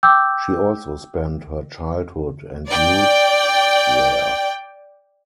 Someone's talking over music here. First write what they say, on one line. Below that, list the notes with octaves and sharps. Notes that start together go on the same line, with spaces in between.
She also spent her childhood and youth there.
G5 D6 E6 G6
D5 G5